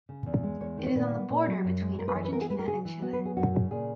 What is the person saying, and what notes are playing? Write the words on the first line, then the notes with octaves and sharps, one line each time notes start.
It is on the border between Argentina and Chile.
C#3
E2
G#3
E2 C#5
D#3
C#5
A#2 B4
B3
A#2
F#3
F#2
G#3
F#2 A#4
B4
E3 C#5
B4
B3 A#4
G#4
G#3 B4
A#4
C#3 G#4
E3
B3 F#4
B4
F#3
G#4
F#2 F#4
C#3
A#2 G#4